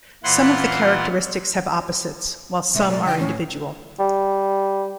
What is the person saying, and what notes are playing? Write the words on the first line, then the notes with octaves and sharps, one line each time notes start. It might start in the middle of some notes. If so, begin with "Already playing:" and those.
Some of the characteristics have opposites, while some are individual.
A#2 E3 E4 F4 F#5 C6
B2 G#3 A3 E5
D5
C#3 D#4 G5
A2 C#4
G3